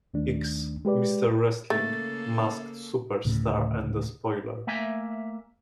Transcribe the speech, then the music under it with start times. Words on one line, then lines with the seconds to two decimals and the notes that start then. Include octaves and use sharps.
X, Mr. Wrestling, Masked Superstar and the Spoiler.
0.14 D#2 D#3 A3 D4
0.85 G#3 G4 B4 D5
1.70 C#3 A3 A#3 A4 A6
3.25 D2 A2 C#3
4.67 A3 A#3 E5 G#5